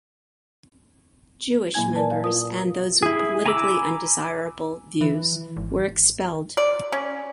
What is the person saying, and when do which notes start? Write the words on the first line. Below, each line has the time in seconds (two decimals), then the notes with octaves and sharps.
Jewish members and those with politically undesirable views were expelled.
1.74 A#2 F#3 A#3 E4 G#5 G#6
1.95 A#4 B4 D5 A5
2.11 F5
2.24 F4 A#4 D#6
3.03 E4 G#4
3.46 G#5 A#5 B5 D6 E6
5.01 E3
5.57 G#1
6.57 D5
6.92 C#4